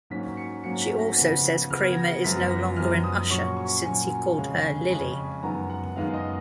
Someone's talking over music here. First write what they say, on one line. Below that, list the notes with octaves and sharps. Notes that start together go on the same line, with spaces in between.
She also says Kramer is no longer an usher since he called her "Lily".
G#2 F#3 A#3 C#4 B6
C#7
G#2 F#3 A#3 C#4 C#7
B6
A#6
C#3 F3 B3
C#3 F3 B3 F6
G#6
A#6
C#7
F#2 F3 G#3 B3 B6
A#6
F#2 F3 G#3 B3 F6
D#6
A#2 F#3 C#4 C#6
C#6
A#2 F#3 C#4 G#5
F2 C#3 G#3 C#4 F5
G#5
F2 C#3 G#3 C#4 B5
F#2 D#3 G#3 B3 A#5
F#5
F#2 D#3 G#3 B3 F5
D#5